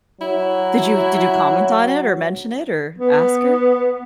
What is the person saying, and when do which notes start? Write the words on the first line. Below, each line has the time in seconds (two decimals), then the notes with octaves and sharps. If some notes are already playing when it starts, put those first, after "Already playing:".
Did you did you comment on it, or mention it, or ask her?
0.21 F#3 E4
2.98 B3